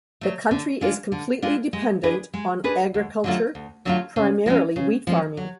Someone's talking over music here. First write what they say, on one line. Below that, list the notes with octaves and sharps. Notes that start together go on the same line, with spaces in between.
The county is completely dependent on agriculture, primarily wheat farming.
F#3 A3
D3
G#3 D4 F4
D3
G#3 D4 F4
G#3
D4 G#4 B4
G#3
D4 G#4 B4
D2
D3 F#3 A3 F4
D2
D3 F#3 A3 F4
C#3
F3 G#3 C#4
C#3
F3 G#3 C#4
F#3